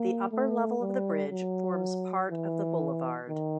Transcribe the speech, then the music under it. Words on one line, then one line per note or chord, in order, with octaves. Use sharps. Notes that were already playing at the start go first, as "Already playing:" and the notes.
The upper level of the bridge forms part of the Boulevard.
Already playing: A#3
A3
G3
F#3
E3
D#3